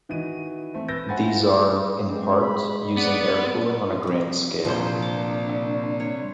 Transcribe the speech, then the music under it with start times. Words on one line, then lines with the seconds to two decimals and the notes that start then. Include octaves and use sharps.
These are, in part, using air cooling on a grand scale.
0.09 D#3 E3 F#4 D#5 D#7
0.74 A3 C4
0.88 B4 E6 G6 A6 A#6
1.09 C5 F#5 G#5 B5 A6
1.22 E4 F4 F#5
1.43 G3 G#3 G#4
2.07 G#3 C4
2.40 B5
2.97 B3 D5
4.03 C3 C4
4.65 C2 A#2 F3 D4 C5
5.02 D6
6.00 C#5